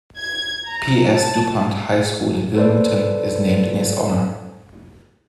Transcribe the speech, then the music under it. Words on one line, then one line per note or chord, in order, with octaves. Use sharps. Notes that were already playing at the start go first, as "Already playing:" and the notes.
P. S. Dupont High School in Wilmington is named in his honor.
G#6
A#5
A5
A4 B4 C5 D5